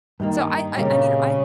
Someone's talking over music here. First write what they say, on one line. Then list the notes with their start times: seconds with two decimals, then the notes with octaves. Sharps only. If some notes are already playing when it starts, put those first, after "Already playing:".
so I I I mean, I
0.20 G2 D#3 G3 A#3
0.76 A#2 C#3 G3 C4 G4 A#4